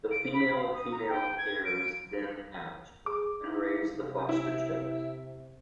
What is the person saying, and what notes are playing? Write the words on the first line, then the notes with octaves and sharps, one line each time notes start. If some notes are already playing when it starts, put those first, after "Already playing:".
The female-female pairs then hatch and raise the foster-chicks.
D7
B5
F5
D#6
A#5
G5
G#6
D7
G#4 D6
E4
C3
E4